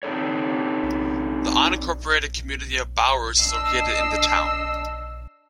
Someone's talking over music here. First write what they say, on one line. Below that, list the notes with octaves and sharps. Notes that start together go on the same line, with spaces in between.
The unincorporated community of Bowers is located in the town.
C4 D4 D#4 A4 C#5
D4 D#5 E6 C7